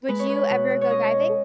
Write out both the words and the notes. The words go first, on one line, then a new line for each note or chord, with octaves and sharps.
Would you ever go diving?
G#3 B4
C#5
B4
B2
C#5
C#4 D#5